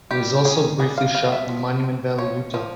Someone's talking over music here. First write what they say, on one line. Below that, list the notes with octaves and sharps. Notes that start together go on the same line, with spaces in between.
It was also briefly shot in Monument Valley, Utah.
G3 G4
C#4 G#4
G3 G#4
F5
G3 F5
E5
F3
C4
F3 C#5
F3